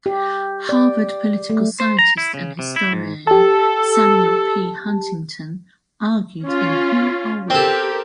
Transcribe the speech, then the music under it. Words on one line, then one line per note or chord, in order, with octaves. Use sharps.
Harvard political scientist and historian Samuel P. Huntington argued in Who Are We?
G4
D5
A3
C5
A#5
E4
C#3
C3
E4
G#2
G4 A4 A5
C#4 F4
C4 G4 A4 A#4